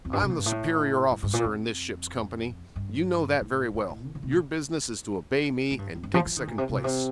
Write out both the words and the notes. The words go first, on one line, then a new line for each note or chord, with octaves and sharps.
I'm the superior officer in this ship's company--you know that very well--your business is to obey me, and take second place.'
F2
G2
C3
A#2
G2
A2
G2
G2
A#2
F2
G2
A2
A2
A2
D#3
D3
C3
A#2
A2
G2
F2
G2
F3
F3
D#3
A#2
C3
C3
A#2
C3